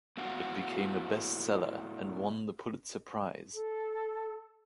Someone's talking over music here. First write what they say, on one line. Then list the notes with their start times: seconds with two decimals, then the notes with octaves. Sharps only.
It became a best-seller and won the Pulitzer Prize.
0.17 A2 B3 F#4 F5
3.53 A4